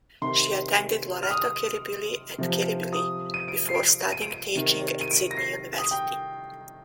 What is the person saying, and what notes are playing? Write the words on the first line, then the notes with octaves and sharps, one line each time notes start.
She attended Loreto Kirribilli at Kirribilli, before studying teaching at Sydney University.
C3 D#3 C6
F6
D#6
C3 F3
D#6
D#7
D7
C7
D7
D#7
D7
D#7
C3 D#3
D#7
D7
A#6
C7
D#6
G5